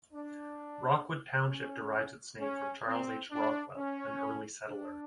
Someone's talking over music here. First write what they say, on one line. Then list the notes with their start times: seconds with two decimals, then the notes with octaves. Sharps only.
Rockwood Township derives its name from Charles H. Rockwell, an early settler.
0.13 D4
1.49 C#4
2.40 C#4
2.86 C4
3.31 D4
3.77 C#4
4.68 D4